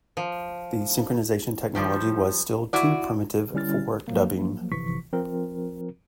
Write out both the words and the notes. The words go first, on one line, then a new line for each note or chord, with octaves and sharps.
The synchronization technology was still too primitive for dubbing.
F3
D#3 F3 G3
E4 F#4 D5
D3 G3 C#4 E4 F6 A6
F3 F#3 A#3
G1 C3 E3 F3 C#6 B6
F3 C4 F4 A#4